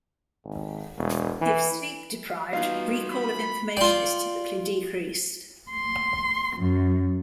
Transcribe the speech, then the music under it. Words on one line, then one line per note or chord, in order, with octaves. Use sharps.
If sleep deprived, recall of information is typically decreased.
G#1
E1
E3
E3 G3 B3 D#4 F4 F#4 F5
B5
F4 D5 G5 C6
C6
F#2